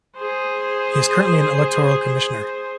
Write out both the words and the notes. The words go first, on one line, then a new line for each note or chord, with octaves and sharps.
He is currently an Electoral Commissioner.
G#4 C5